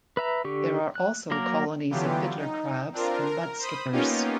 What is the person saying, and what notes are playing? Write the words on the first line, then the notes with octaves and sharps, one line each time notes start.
There are also colonies of fiddler crabs and mud-skippers.
B4 E5 A#5
D3 G4 C#6
F#6
F#3 A#3 A#4 D6
D3 E3 F#3 B3 F4 G4
D#4
C4 D4 F4 A#4
A#4
C5 B5 D#6
A#3 B3 C#4 D#4 F4 G4